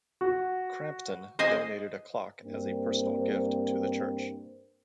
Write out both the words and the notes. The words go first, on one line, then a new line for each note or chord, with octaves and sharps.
Crampton donated a clock as a personal gift to the church.
F#4
C5 D#5 G#5
G2 A#3 C4